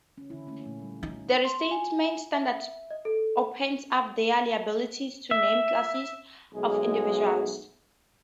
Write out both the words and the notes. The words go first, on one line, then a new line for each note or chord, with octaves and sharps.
The Restatement Standard opens up their liability to named "classes" of individuals.
C#4
D3 E4
A3 A#3 C#4
A#2 A3
G3
D#4
C6
G#5
E5
D#5
A4
E5
B1 G#3 A3 E4 G#4